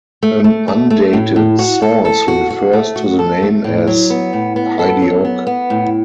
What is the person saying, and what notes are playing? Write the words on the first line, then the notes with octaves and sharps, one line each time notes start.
An undated source refers to the name as "Heidiog".
A3
A3
A3
A3
A2
A2
F#4
A4
A4
F#4
F#4
A3
F#4
A4
A3
A2
F#3
B3
A2
B3
A4
F#3
B3
B3
A2